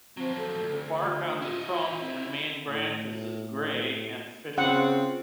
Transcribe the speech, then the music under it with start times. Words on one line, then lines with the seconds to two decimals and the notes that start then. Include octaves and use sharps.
The bark on the trunk and main branches is grey and fissured.
0.17 F3 F#3 C4
0.38 A4
0.61 D2
1.02 F4
1.42 E4 D#5
2.01 C4
2.69 A2
4.58 C#3 C4 F4 F#5